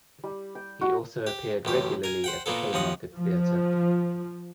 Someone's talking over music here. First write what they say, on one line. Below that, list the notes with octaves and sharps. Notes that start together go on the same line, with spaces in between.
He also appeared regularly at the Haymarket Theatre.
G3
G5
F#4
G4
A1 F#2 G4
A#4 G#5
C5 F#5 G5
A#2 A#3 B3 A4
D#2 F3 D#5 F#5
F3